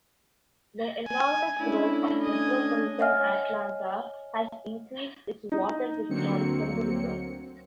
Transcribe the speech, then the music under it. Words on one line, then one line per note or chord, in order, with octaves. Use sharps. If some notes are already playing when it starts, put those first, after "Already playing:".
The enormous growth of metropolitan Atlanta has increased its water withdrawals from the river.
G#5
A3 C#4 D4 E4
D#5 G#5
C#5 D#5 E5 F#5 G#5 F6
D#4
D2 D3 F#3 A#3 C4 C#7